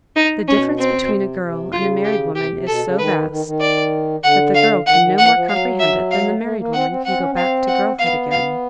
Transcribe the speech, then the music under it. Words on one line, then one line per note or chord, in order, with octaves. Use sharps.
The difference between a girl and a married woman is so vast, that the girl can no more comprehend it than the married woman can go back to girlhood again.
D#4
B2 C#4
C4
B2
C3
C3
C#3 F4
G4
C3 G4
C3
B2 A4
C#3
D#3 B4
D#3
D#3
D5
D3 F#5
F5
D#3 F#5
D#3
E3 F#5
F3
F#3 F5
E5
F5
A3
A#3
C4 F#5
C4
C4 F#5
C#4
C4
F5
F#5
B3 F5
F5